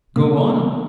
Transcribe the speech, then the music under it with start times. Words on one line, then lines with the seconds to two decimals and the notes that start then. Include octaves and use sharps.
"Go on."
0.16 C3 A#3